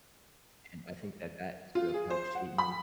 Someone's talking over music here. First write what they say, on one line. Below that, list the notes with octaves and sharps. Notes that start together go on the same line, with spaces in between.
and I think that that sort of helped shape me in
F4
G#4
C5
F#5
B5